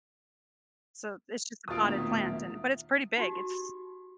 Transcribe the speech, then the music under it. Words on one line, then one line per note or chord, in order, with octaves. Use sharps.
so it's just a potted plant, and, but it's pretty big it's
D#1 F4 D#6 A6 D7
B2 D#3 A3 A#3 D4 E5
D#4 F#4 G4